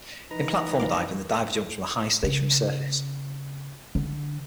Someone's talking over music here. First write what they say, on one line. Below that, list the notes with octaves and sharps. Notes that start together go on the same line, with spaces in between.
In platform diving, the diver jumps from a high stationary surface.
E3 D#4 B4 A#5
C#2 F5 D6
C#3
D3